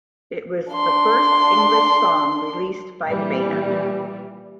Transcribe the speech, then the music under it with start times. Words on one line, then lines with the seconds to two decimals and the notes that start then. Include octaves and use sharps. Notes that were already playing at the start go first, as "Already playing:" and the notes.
It was the first English song released by the band.
0.73 D4 C6
3.05 A#2 E3 G3